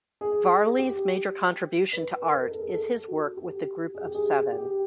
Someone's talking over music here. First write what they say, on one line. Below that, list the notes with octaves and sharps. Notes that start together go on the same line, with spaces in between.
Varley's major contribution to art is his work with the Group of Seven.
G#4
G4
B4
A#4
A#4
A4
G#4
A4
F#4
G4
G#4
G4
G#4
G4